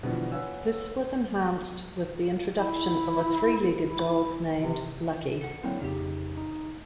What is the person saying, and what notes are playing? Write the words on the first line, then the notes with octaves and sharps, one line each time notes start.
This was enhanced with the introduction of a three-legged dog named Lucky.
B2 D3 E3 F3 G3 B3
B4 C#5 F5 F#5 G#5 E6
E4
E4
C3
A4 F#5
D3 F#3 A#3 C4 E4 G5
F2 C#3 D#4 F4 G4
D#4